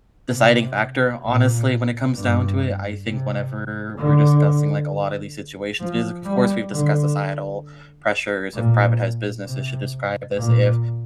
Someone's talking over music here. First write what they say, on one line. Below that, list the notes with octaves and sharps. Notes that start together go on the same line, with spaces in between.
deciding factor, honestly, when it comes down to it. I think whenever we're discussing, like, a lot of these situations, be of course we've discussed societal pressures, if privatized businesses should describe this, if
C3
A#2
G2
C3
D3
F3
G3
D3
A#2
C3
A#2